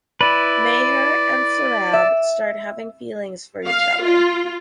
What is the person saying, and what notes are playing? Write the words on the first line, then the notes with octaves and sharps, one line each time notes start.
Meher and Sarab start having feelings for each other.
E4 B4 D5
E5
F5
F4